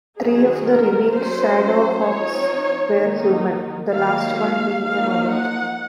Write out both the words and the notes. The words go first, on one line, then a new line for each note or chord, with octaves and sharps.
Three of the revealed ShadowHawks were human, the last one being a robot.
D#3 F#3 C4 D#4 G#4
A#4
F#3 A#3 C#4 C5
F3 C4 D#4 C#5
D#3 A#3 D#4
D#3 F#3 A#3 F5
F3 A#3 D#4 F5
F#5